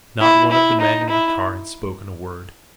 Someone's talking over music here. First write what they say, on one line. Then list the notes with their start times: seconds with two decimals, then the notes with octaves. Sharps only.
Not one of the men in the car had spoken a word.
0.21 E4
0.51 E4
0.81 D#4
1.09 E4